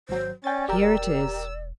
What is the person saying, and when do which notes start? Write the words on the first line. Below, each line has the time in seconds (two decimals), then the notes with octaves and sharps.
"Here it is."
0.09 G#1 F#3 C5
0.44 C#4 D5 G5 G#5 A6
0.69 E1 G4 A#4 E6